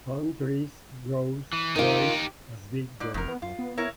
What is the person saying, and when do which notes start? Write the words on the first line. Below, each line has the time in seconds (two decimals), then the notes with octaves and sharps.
Palm trees grows twice as big there.
1.53 E3
1.76 D#3 D#4 F4 G4
3.00 G#2 D5
3.14 F1 E2 A#4
3.28 B3
3.42 F#2 F4
3.59 B3
3.78 E4 A#4 C#5